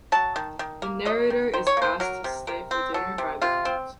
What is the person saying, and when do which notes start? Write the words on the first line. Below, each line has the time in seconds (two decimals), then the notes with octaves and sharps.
The narrator is asked to stay for dinner by the count.
0.12 F#3 A5
0.36 D#3
0.59 D#3
0.82 A#3
1.05 F#3 D#5
1.30 D#3
1.53 D#3 C5
1.67 C#5
1.77 A#3 C5
2.00 F#3 A#4
2.24 C3
2.47 C3 A#4
2.71 C4
2.94 F#3 A4
3.18 C3
3.42 C3 F4
3.65 C4